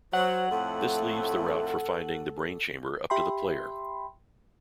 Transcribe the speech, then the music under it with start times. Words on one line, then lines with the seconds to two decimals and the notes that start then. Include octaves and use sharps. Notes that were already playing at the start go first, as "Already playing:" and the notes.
This leaves the route for finding the Brain Chamber up to the player.
0.13 F#3 C5 F#5
0.50 F2 A2 A3 A4
3.10 G4 E5 G5 B5 C6